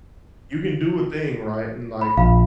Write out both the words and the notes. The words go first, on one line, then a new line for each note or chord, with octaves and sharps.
you can do a thing, right? And, like,
B5
A#1 F5 B5